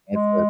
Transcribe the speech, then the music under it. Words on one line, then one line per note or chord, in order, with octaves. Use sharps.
and for
G#3